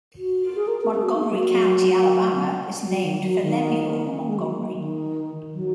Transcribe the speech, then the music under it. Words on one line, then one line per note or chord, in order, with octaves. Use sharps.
Montgomery County, Alabama, is named for Lemuel Montgomery.
F#4
G#4
A#4
A#4
G#4
F#4
D#4
A#3
F#3
F#3
F#3
D#3
F#3
D#3
C#4
A#3
G#3
F#3
A#3
F#3
D#3
F#3